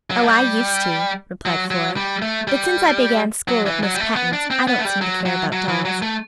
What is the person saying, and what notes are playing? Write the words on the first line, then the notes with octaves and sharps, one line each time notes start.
"Oh, I used to," replied Flora, "but since I began school at Miss Patten's I don't seem to care about dolls."
F#3
A3
G3
F#3
F#3
G3
A3
G3
F#3
E3
F#3
G3
A3
B3
D4
C4
B3
A3
G3
F#3
F#3
F#3
E3
F#3
A3